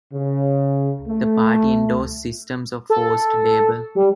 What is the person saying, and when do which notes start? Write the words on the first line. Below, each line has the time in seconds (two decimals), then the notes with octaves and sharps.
The party endorsed systems of forced labour.
0.14 C#3
1.08 A3
2.90 A4
3.95 G3